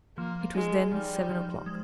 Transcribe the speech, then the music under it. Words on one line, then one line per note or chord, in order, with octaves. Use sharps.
It was then seven o'clock.
F3 A#3
G#3 D#4
F3 G3
F3
G#3